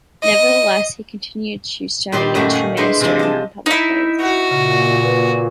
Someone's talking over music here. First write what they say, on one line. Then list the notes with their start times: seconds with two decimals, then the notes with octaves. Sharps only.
Nevertheless, he continued to study and to minister in non-public ways.
0.23 D#5
2.12 A#2 D#3 G3 G4 C6
2.35 F#2 A#2 D#3 A3 F#4 A5
2.52 F5 F#5 G#5
2.77 G#3 D4 E4 B4 C5 D#5
3.00 C3 E3 F3 G#3 D4 F4
3.19 D#5 A5
3.66 D#4 E4
4.21 F#4
4.51 A#2 C#3
5.04 B4